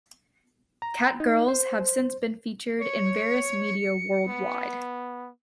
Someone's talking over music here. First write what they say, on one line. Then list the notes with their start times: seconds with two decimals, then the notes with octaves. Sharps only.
Cat-girls have since been featured in various media worldwide.
0.82 A#5
1.20 D#4
1.48 C5
2.81 C#5 C#7
4.27 B3